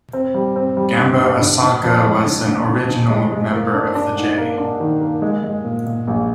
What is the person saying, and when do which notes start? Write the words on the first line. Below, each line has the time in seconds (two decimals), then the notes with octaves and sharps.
Gamba Osaka was an original member of the J.
0.13 C4
0.34 G3
0.56 C4
0.77 G3
0.98 G2
1.19 G2
1.41 D3
1.62 D3
1.83 F2
2.04 G#3
2.26 D3
2.47 D3
2.68 D3
2.89 D3
3.10 G#3
3.32 G#3
3.53 A#3
3.74 D4
3.95 D4
4.17 G#2
4.37 A#3
4.58 D4
4.80 D#3
5.01 A#3
5.22 G#3
5.43 G#3
5.65 A#2
5.86 A#2
6.07 A#1